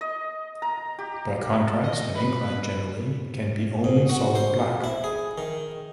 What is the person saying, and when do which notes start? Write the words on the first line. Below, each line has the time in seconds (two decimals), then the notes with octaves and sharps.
By contrast, an ink line generally can be only solid black.
0.01 D#5
0.62 A#5
0.99 G4
1.84 D#5
2.15 B4
3.84 G#2
4.09 F#4
4.35 C5
4.84 E4
5.04 G#4
5.38 D#3